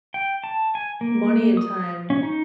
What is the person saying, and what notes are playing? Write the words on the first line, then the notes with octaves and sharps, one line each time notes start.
money and time,
G5
A5
G#5
A#3
D#6
C#4
D#4